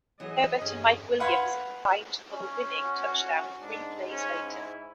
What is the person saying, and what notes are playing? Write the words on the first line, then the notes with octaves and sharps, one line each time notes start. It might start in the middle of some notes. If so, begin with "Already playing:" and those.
Herbert and Mike Williams combined for the winning touchdown three plays later.
E3 F#3 F#4 G#4 C#5 D#5 G#6
G2 D3 C#4
B4 F5 F#5 B5 C6 G#6
C#4
F#4
G#2 D4
C#4
E4